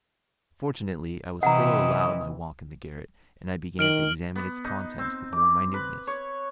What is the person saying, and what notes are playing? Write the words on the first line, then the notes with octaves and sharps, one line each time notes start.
Fortunately, I was still allowed my walk in the garret, and I began to examine its contents with more minuteness.
C3 E3 D#5 F#5 A#5
D#3 F6 D7 F#7
B3
D#4
C4
D6
B4
C#5